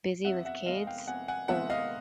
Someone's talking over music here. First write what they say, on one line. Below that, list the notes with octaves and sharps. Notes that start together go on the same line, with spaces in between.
busy with kids or
F2 E5 F#5
E5 F#5
C3 D#3 G#3 C4 D#5 F5
F5 G5
F2 F#5 G#5
F#5 G#5
C3 D#3 G#3 C4 E5 F#5
D#5 F5